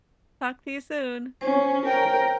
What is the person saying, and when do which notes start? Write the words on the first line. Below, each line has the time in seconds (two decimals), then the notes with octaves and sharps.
Talk to you soon.
1.41 C#4 C5 C#5
1.85 A#4 G5